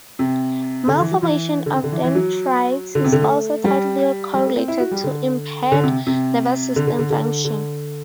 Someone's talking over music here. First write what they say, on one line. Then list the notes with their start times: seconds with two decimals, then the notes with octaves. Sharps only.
Malformation of dendrites is also tightly correlated to impaired nervous system function.
0.19 C3
0.88 D3
1.00 E3
1.11 F#3
1.23 E3
1.66 D3
1.75 C3
1.84 D3
1.92 E3
2.04 E3
2.15 F#3
2.95 D3
3.04 C3
3.12 D3
3.22 A3
3.65 G3
4.34 G3
4.45 A3
4.57 C4
4.68 E4
4.80 F#4
4.91 G3
5.04 D3
5.72 D3
5.84 C3
6.07 C3
6.76 D3
6.87 D3
6.99 D3
7.10 D3
7.45 D3